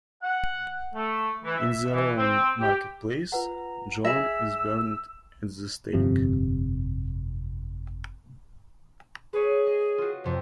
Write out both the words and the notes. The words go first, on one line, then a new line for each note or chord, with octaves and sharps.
In the Rouen marketplace, Joan is burned at the stake.
F#5
A3
E3
E5
E3
C4
G4
F4 B4 F#5 A#5
G#4 E5 E6 A#6 B6 E7
G1 F2 C3
G#4 B4 C#5
D#5
F4 F#4
F2 C3